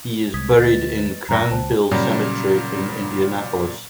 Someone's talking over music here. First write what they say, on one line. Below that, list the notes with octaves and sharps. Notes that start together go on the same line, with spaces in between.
He is buried in Crown Hill Cemetery in Indianapolis.
C2 D#6 G#6 B6
D2 B4 D#5 A6
E2 G2 B2 A#5 F#6 A#6
C#2 C5 G5 A5
A#2 C#3 F#3 G3